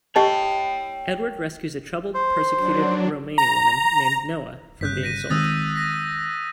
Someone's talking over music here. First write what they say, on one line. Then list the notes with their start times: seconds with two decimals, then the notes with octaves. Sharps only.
Edward rescues a troubled, persecuted Romani woman named Noah from being sold.
0.16 G4 C#5 D#5 G5 A5
2.14 C5
2.54 F#3 D4
3.38 A#5
4.81 G1 C#3 F#6 G6 B6
5.03 A#6 B6 D#7
5.30 D#3 G#3 C4 D#6 E6 A6
5.76 A#6 B6